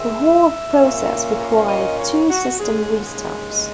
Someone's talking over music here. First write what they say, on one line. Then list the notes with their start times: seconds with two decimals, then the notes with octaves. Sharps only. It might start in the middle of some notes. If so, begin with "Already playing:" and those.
The whole process required two system restarts.
Already playing: G#2 D#3 G#3 E5
0.78 A#2 A#3 C#4
1.68 D#5
1.99 C#5
2.29 F#4
2.59 D#2 C#3 G#3 G#4
2.99 F#4
3.04 G#4
3.50 D#5